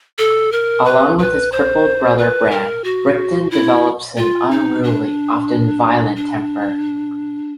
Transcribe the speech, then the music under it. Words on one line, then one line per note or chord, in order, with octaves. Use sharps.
Alone with his crippled brother Bran, Rickon develops an unruly, often violent temper.
A4
A#4
B4
B4
C5
B4
A#4
F#4
E4
F4
D#4
D4
D4